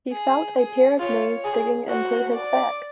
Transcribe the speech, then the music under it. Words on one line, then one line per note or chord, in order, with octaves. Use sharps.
He felt a pair of knees digging into his back.
G#4
G#4
F4 C#5
G#4
F#4 C5
D5